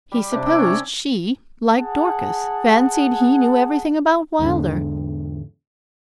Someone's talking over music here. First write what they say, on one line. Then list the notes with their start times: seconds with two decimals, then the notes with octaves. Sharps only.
He supposed she, like Dorcas, fancied he knew everything about Wylder.
0.12 G3
0.32 C3 D4
0.46 E5 G5
0.59 C#4 D4 C#5
1.76 G#4 F#5 A5
4.39 E2 G#2 D3